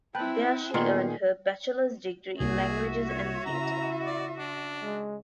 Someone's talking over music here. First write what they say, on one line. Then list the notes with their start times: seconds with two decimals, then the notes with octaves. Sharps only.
There she earned her Bachelor's degree in languages and theater.
0.15 C4 E4 B4 G5 A5 F#6
0.74 A#2 D#3 B3 G#4 C6
2.40 C2 A#3 F#4 G#4 E5
3.09 C#5
3.46 C#3 E4 A#5
4.06 D5
4.39 D4
4.83 G#3